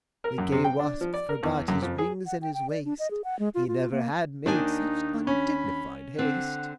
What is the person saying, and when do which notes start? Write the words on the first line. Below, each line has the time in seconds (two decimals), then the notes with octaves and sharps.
The gay wasp forgot his rings and his waist, He never had made such undignified haste.
0.24 A#4
0.38 F#2
0.52 C3
0.64 G5
0.79 D4
1.01 F3
1.14 D5
1.29 A#4
1.43 E2
1.68 F#2
1.82 F2
1.98 G#4
2.26 F#5
2.42 G5
2.54 G5
2.70 D5
2.85 D4
2.99 D#5
3.11 G#4
3.24 F#5
3.39 G#3
3.54 F4
3.68 F4
3.91 A#3
4.46 D#2 D#3 D4 D#4 G#5
5.27 C#4 B5
6.19 D3 C4 F#5